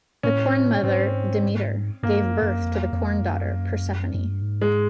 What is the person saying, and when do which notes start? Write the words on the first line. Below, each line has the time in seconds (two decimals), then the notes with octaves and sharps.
The Corn Mother Demeter gave birth to the Corn Daughter Persephone.
0.23 A2 C#4
0.83 G#2 C4
2.03 G2 A#3
2.23 F#2
2.42 F#2
2.62 F2
2.93 F2
3.21 F#2
4.14 F#2
4.28 G2
4.42 G#2
4.62 G#3